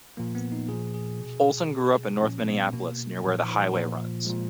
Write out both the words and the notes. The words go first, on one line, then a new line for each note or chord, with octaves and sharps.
Olson grew up in North Minneapolis, near where the highway runs.
A#2 F3 A#3
B3
D#4
A#2 F3 G#4
G#4
B2
B2
A#2 F3 C#4
B3
B2 A#3
A#2 F3
A#2 F3
A#2 F3 G#3